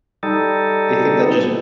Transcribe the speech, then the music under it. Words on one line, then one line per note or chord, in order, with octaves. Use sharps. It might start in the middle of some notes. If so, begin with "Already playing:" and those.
they think that just
G3 D#4 A4